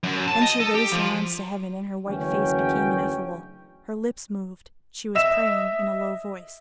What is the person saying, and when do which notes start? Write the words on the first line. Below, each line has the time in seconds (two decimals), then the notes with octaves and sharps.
Then she raised her arms to heaven, and her white face became ineffable; her lips moved; she was praying in a low voice.
0.03 F#2
0.28 A5
0.41 D#5
0.60 A4
0.74 G4
0.92 F3
2.07 F#1 D2 E3 F#3 C#4 G5
5.15 D#5 E5 E7